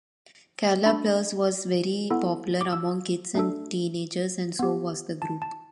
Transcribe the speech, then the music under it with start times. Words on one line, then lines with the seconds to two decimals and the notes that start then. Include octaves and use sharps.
Carla Perez was very popular among kids and teenagers, and so was the group.
0.86 D4 A4 B5
2.10 B3 E4 A4
2.61 D6
2.72 E6
3.35 A3 D4 A4
4.59 B3 G4
5.22 A5
5.42 A5